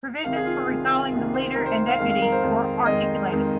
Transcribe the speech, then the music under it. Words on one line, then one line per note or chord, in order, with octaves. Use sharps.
Provisions for recalling the Leader and Deputy were articulated.
C2 C3 D#3 F5
G#4
F4
C2 C3 D#3
C2 C3 D#3
C5
C2 C3 D#3 A#4
C5
F5
F2 D#3 G#3 F5
F5
A#4
C5
F2 D#3 G#3
F2 D#3 G#3 D#5
F2 D#3 G#3